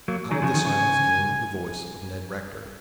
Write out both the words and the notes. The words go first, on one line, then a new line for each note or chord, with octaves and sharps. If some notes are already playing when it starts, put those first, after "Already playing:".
Out of the silence came the voice of Ned Rector.
F#3 A#3
D#3 F#3 G#5
C#3 F3
D#3
C#3